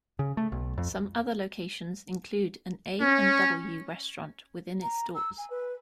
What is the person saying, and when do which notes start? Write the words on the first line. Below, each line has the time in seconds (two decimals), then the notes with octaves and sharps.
Some other locations include an A and W restaurant within its stores.
0.19 C#3
0.37 A3
0.52 B1
0.78 F2
3.00 C#4
4.82 A#5
5.14 E6
5.37 G#5
5.50 B4